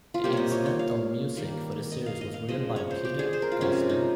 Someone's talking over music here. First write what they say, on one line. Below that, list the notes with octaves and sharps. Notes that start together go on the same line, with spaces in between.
The incidental music for the series was written by Peter Goslin.
F4
C3 G3 A#3 G4
C#5 D#5
C#5
C#5
F5
D#3 G3 A#3
D#5
F5
D#5
F5
C#3 F3 G#3 D#5
C#5
C5
G4
G#4
C5
A#4
F4
C3 F3 G#3 C#4
D#4